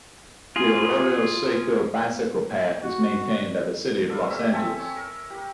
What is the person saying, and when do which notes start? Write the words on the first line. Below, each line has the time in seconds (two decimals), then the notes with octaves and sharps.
The Arroyo Seco Bicycle Path is maintained by City of Los Angeles.
0.56 F4 G#4
2.82 F#4
4.10 A4 D5 F5
4.30 G4 A#4 C#5 E5
4.53 C4 A4 G#5 A5
4.80 C#5
4.96 A#4
5.30 G4 A#4